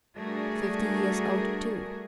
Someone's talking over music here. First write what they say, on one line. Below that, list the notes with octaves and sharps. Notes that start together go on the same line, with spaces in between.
Fifty years old, too!
G3 A3 D4 F#4 G#4 A#4